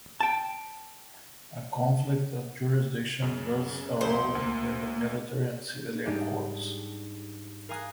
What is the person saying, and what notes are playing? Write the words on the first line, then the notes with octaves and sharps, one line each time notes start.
A conflict of jurisdiction thus arose between the military and civilian courts.
G5 A5
F#2 C#3
C2 F2 C5
D2 A#3
G#2 G3 G#3 D4 D#4 G4
A#4 F5 G#5 A#5 D#6 F#6